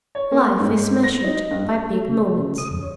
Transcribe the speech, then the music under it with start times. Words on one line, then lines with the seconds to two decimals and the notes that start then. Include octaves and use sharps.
Life is measured by big moments.
0.15 C#5
0.31 A#3
0.60 G#2
1.03 A#6
1.24 D#4
1.51 G2
1.93 A3
2.08 C#3
2.23 G#3
2.38 C#3
2.58 D#6
2.71 F2
2.82 C#5